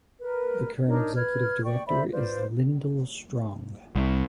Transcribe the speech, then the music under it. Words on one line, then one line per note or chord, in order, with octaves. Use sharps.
The current Executive Director is Lyndel Strong.
A#4 B4
D4 D#4 A#4 C#5
B4 F6 G#6
D5 G5 C#6
C5 D5 E5 B5
F4 B4 C5 D5
C2